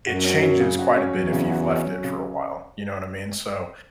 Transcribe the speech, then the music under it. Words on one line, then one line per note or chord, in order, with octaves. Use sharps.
it changes quite a bit if you've left it for a while, you know what I mean, so
F#2 F#4
C#4
F#3
C#3
F#4
C#4
E2 F#3
C#3
F#4
C#4
F#3
C#3